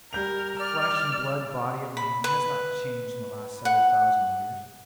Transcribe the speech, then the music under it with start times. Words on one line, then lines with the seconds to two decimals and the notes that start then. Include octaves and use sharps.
The flesh-and-blood body of man has not changed in the last several thousand years.
0.13 G3 A#4 G6 F7
0.59 D5 F6
1.97 B5
2.24 B4
3.65 F#5